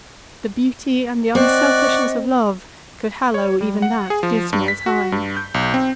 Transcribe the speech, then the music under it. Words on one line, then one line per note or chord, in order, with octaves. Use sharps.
The beauty and the unselfishness of love could hallow even that dismal time!
C4 D5 D#5 F#5 C#6
C#5
G3
F#5
G#4
F3
G2
B6
F#4
G2
G6
B1
C4